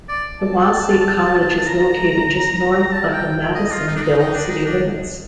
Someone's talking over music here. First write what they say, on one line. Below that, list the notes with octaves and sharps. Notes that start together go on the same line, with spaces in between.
Hiwassee College is located just north of the Madisonville city limits.
D5
A5
A#5
A5
F5
G5
D#5
F4
D#4
D4
D#4
D#4
D4
D#4
D4